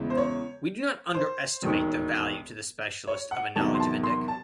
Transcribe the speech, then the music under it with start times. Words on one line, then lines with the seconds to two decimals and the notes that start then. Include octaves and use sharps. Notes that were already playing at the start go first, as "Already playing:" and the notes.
We do not underestimate the value to the specialist of a knowledge of Indic.
Already playing: E2 C#3 E3 G#3
0.10 C5
0.17 C#5
1.14 C5
1.62 E1 D#2 D#3
3.07 C#5
3.31 F#5
3.56 E2 C3 D#3 F#3 A5
3.74 C6
3.80 A5
4.03 C6
4.28 A5